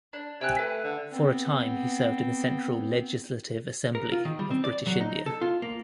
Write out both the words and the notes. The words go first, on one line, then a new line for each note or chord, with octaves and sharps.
For a time he served in the Central Legislative Assembly of British India.
D4
C3 G5 G#5 F#6
A3 B4
D3
B3 C4
A#4
F4
D#3
G3
C4
D5
F#3
D#4
A4
F4
A#3